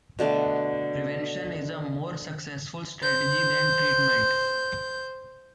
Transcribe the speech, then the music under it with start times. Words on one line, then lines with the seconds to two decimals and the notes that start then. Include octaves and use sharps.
Prevention is a more successful strategy than treatment.
0.19 B2 D3 A3 F5
3.03 C5 G6